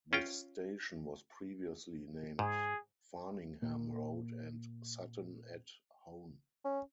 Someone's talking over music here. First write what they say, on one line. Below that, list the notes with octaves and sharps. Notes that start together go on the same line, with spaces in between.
The station was previously named Farningham Road and Sutton-at-Hone.
C#4 F4 G5
G#2 G#4
A#2 A#3
C#4